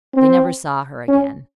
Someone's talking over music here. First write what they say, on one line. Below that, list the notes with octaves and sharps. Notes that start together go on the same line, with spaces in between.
They never saw her again.
C4
C#4